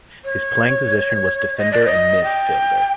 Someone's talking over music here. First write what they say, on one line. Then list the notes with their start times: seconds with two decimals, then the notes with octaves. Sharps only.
His playing position was defender and midfielder.
0.25 C#5
1.58 D#5
1.72 D5
1.86 D#5
2.24 G5